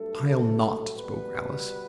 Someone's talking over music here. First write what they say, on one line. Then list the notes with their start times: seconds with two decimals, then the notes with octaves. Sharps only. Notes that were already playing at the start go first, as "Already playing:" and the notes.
"I'll not," spoke Alice.
Already playing: G2 F#3 A3 A4
0.97 B2 G3 B3 B4